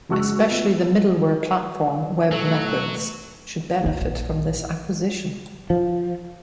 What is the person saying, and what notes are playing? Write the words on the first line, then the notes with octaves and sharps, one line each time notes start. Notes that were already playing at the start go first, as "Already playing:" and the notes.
Especially the middleware platform WebMethods should benefit from this acquisition.
F#1 G#3 F#4 C#6 E6 F#6
F3 B3
B2 F#3 A3 A4
D#4
A#1
F3